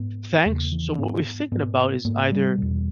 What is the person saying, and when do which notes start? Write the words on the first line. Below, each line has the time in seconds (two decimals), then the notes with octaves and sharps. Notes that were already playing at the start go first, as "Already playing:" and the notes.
"Thanks." So, what we're thinking about is either
Already playing: G#2 B3
0.46 E2 C#3 A#3
0.72 E3
0.98 G#2 B3
1.52 G#2 B3
2.05 G#2 A#3
2.32 G3
2.58 E2 B2